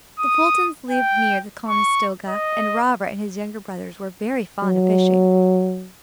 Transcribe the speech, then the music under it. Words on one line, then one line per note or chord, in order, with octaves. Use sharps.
The Fultons lived near the Conestoga, and Robert and his younger brothers were very fond of fishing.
D#6
G5
C#6
D#5
F#3